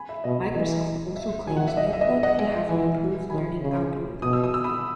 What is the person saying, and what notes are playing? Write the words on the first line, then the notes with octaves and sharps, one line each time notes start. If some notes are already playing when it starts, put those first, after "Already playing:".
Microsoft also claims New-Quick to have an improved learning algorithm.
Already playing: G#5 B5
E5
B2 D#5
E3 D#5
E5
D#3 G#5
F#5
E5
D#5
E5
D#5
B3 E5
D#5 F#5
G#3 E5 G#5
E3 E5 G#5
D#3 G#5 B5
C#3
B2 D#6
E6
D#6
E6
B5 D#6